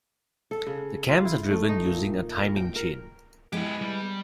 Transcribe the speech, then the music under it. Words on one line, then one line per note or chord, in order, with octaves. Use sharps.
The cams are driven using a timing chain.
A4
C#3
F4
E4
A3
D#4
A#2
A#4
G5
A#4
G#3 B3 E4 G4
G3